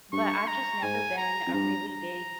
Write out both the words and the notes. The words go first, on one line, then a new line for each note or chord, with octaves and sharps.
But I've just never been a really big
G2 C#6
A#5
G#2 G#5
A#5
F2
G2 A#5
A#5